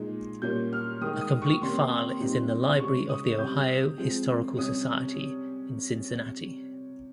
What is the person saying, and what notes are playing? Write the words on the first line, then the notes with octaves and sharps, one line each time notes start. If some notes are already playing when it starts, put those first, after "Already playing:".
A complete file is in the library of the Ohio Historical Society in Cincinnati.
Already playing: A#2 G#3 D#4
A#2 G3 A#3 C#4 G6
F6
D#3 G#3 D#4 D#6
D#6
C#6
C3 D#3 A#3 C#4 C6
A#2 G3 C4 D#4
C#3 G#3 C#4 C#6
D#6
C3 G3 C4 G6
F3 G#3 C4
C3 G3 C#4 D#6